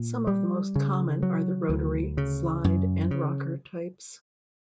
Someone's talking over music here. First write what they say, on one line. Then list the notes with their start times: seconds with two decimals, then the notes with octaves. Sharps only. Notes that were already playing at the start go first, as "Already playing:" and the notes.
Some of the most common are the rotary, slide, and rocker types.
Already playing: A#2
0.27 G3
0.76 C#3
1.23 F#3
1.69 D2
2.17 C#3
2.64 F#2
3.11 C#3